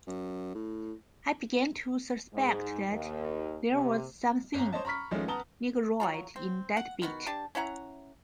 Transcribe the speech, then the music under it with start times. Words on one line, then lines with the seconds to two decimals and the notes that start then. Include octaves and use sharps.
I began to suspect that there was something Negroid in that beat.
0.07 F#2
0.55 A2
2.34 G#2
2.90 D#2
3.71 C3
4.54 G1 C#4 A#5
4.73 C5 C#5 D#5 A5
4.85 A#5 B5 C#6 F6 B6
5.11 C#2 D#3 F3 G#3 A3 C#4
5.28 B3 A5 A#5 D#6 G7
6.00 F#3 F4 A#5
6.36 C4
6.77 F#5
7.02 D#3 B3 F#4
7.27 D4 G4 A5
7.55 C#4 E4 F#5 A#5